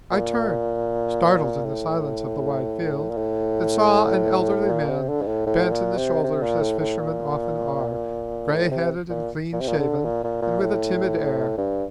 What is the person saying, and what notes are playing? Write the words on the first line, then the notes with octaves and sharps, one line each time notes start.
I turned, startled in the silence of the wide field, and saw an elderly man, bent in the shoulders as fishermen often are, gray-headed and clean-shaven, and with a timid air.
A#2
A2
A#2
A2
A#2
C3
D3
G2
A2
A2
A#2
C3
C3
A#2
A2
A2
A#2
A2
C3
A#2
A#2
C3
A#2
D3
A#2
A#2
A#2
A2
G2